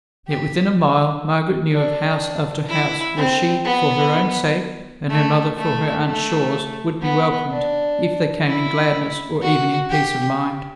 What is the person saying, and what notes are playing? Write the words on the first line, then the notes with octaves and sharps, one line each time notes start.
Yet within a mile, Margaret knew of house after house, where she for her own sake, and her mother for her aunt Shaw's, would be welcomed, if they came in gladness, or even in peace of mind.
G4
D4
E4
C4
B3
A3
A3
A3
B3
D4
E4
F#4
G4